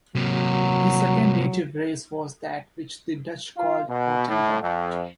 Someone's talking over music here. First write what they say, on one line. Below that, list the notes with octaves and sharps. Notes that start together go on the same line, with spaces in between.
The second native race was that which the Dutch called Hottentot.
C3 F#3 A#3
F4
B2
A2
F2